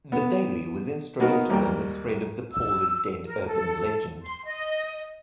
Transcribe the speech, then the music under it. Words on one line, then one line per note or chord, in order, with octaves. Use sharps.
The "Daily" was instrumental in the spread of the Paul is dead urban legend.
B3
A#3 B3 D#4 F#4 A#4
G#1 D#2 G3 A#4 G5
E6
A#4
A4
C6
D#5